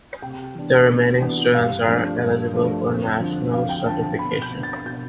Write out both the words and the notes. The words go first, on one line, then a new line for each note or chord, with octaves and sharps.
The remaining students are eligible for national certification.
C3 G5
E3 B3 D4
C3
E3 B3 D4
G2 F5
F3 A3 D4
G2
F3 A3 D4
F2
D3 F3
F2 F5
G5
D3 F3 A5
A5
B2 B5
G6
B3 D4
A6
B2 G6